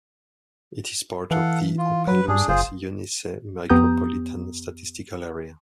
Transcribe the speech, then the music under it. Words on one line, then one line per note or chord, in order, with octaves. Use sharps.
It is part of the Opelousas-Eunice Micropolitan Statistical Area.
E3 A4 F5 F#5
F4
F#3 B4
G2 D4 G#4
F#1 F4 G#4 C5
F2 B3 G4 A#5 D#6 G6